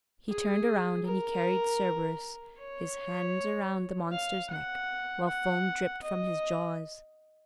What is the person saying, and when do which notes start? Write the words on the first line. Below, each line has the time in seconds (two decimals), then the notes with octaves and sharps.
He turned around and he carried Cerberus, his hands around the monster's neck while foam dripped from his jaws.
0.30 G#4
1.06 A#4
2.59 C#5
4.12 F5
4.50 F#5
5.27 F#5
6.03 D#5